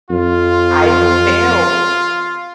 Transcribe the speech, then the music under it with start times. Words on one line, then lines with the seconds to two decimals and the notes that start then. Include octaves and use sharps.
I failed
0.11 F2 F4